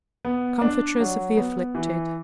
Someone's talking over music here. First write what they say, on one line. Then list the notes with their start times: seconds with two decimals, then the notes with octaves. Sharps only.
Comfortress of the afflicted.
0.25 B3
0.61 D4
1.00 F#3
1.37 B3
1.75 E3